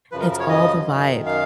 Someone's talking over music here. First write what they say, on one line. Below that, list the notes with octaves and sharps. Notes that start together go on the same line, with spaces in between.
it's all the vibe.
F#2 C#3 F3 B4
A#4
A#4
C#5
D#5
F#2 D#3
F5